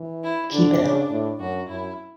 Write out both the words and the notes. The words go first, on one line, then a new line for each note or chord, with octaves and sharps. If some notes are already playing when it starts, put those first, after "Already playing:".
Keep it up!
Already playing: E3
E4
D3 D4
C#3
A2
F#2 F#4
F#2 E4